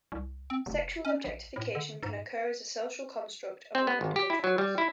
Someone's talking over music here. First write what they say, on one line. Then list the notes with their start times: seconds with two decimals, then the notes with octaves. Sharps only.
Sexual objectification can occur as a social construct among individuals.
0.12 C2
0.50 C4
0.66 F1
1.05 C#4
1.24 A#1
1.56 A2
1.75 D3
2.03 G#2
3.75 C4
3.87 B3
4.01 G#1
4.16 G4
4.30 E4
4.44 F#3
4.58 G3
4.78 E4